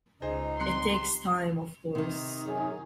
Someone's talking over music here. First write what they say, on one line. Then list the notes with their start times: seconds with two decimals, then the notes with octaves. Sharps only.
It takes time of course.
0.22 C#2 D#4 G#4 C5 D#5
0.60 C#3 G3 C4 A#5 C6 F#6 C#7
1.95 C3 D#3 D#4
2.45 F#2 G#4